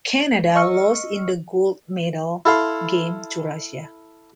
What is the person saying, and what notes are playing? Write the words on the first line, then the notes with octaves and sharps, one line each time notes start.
Canada lost in the gold medal game to Russia.
D#5 C#6 E6 F6 C#7
E4 A4 F5 C6